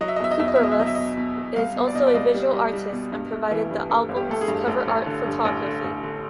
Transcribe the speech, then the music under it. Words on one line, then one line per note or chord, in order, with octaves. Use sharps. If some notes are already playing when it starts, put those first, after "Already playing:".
Kuperus is also a visual artist and provided the album's cover art photography.
F#3 D#5
E5
D#5
E2 E5
D#5
E2 E5
D#5
E5
B2 D#5
E5
F#3 D#5
E5
B2 D#5
B2
E2
C2 F5
B2
D5
B2 D#5
D5
C2 D#5
G3
G3
G3
B2
G2
A3
E3
G2
G2 A4
G1
G4
A3 A4
G#4
G2
A1 A4
A1
D3
G2
A1
D3
A1
D3